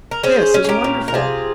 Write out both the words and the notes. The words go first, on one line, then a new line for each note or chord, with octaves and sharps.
This is wonderful!
A#4
C#4 G#4 C5
C#4
G#4
G4 A#4
A#2
A#4
C3 F4 G#4